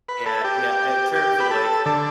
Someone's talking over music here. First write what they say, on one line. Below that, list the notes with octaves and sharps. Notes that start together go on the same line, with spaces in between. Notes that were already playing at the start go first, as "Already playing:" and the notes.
Yeah yeah, in terms of, like,
B4
A4
G4
G4
B4
A4
D3 A4